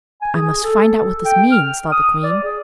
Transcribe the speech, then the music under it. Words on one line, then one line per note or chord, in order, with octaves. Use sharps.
'I must find out what this means,' thought the queen.
G#5
G#4
A4
G5
F6
D#6
D5
G#4